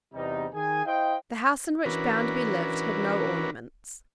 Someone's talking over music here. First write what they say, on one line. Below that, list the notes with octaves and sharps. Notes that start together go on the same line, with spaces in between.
The house in which Bounderby lived had no ornaments.
E2 C3 G3 D#4
D#3 G#4 G#5
E4 C5 D#5 F5 G5
E3 C#4 D4 F#4 A#4 B4